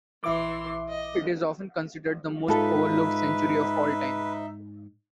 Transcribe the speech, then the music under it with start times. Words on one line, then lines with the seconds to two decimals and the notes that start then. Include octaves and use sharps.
It is often considered the most overlooked century of all time.
0.24 A#1 E3 E5 C6 D6
0.89 D#5
2.48 G#2 D#4 F4 A4 B4 E5